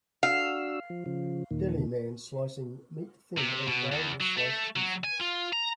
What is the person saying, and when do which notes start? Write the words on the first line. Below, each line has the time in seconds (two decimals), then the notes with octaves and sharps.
Deli man slicing meat thin and weighing the sliced pieces.
0.23 D4 F#4 F5 E6
0.90 F3
1.06 C#3 F3
1.51 D#2 A#2 D#3
3.38 C3
3.68 B2
3.92 E2
4.21 F#3
4.38 A3
4.76 F#3
5.04 G#5
5.20 F4
5.53 A#5